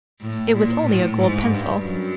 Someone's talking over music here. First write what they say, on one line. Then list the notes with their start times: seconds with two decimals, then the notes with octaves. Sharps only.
It was only a gold pencil.
0.21 A2
0.53 A#2
0.85 A2
1.17 G#2
1.50 G2
1.82 F#2